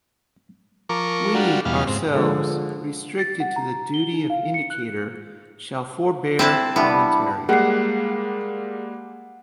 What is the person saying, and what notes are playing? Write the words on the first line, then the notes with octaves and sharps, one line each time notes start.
We ourselves, restricted to the duty of indicator, shall forbear commentary.
F3 A#4 C#6 D6
G3 D4 F4 F#4
E2 B2 G3 F5
G#2 C4
D3 F3 G#3
A6
F#5
A#5
G7
D#4
F5
C#7
F#6
C4 E4 A5
G3 B3 D4 E4
G3 G#3 A#3 G#4 F#5 C7